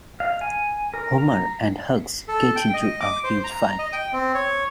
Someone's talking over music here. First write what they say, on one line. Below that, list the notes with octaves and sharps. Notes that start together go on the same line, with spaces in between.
Homer and Hugs get into a huge fight.
F5
G#5
A#4
A#5
A4
G5
D#5
D6
C5
A#5
D#5
G5
C4
C#5